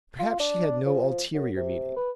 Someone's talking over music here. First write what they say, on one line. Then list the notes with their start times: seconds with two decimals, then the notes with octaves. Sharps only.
Perhaps she had no ulterior meaning.
0.19 F4
0.40 D4
0.86 F3
1.34 F#2
1.56 C3
1.96 B4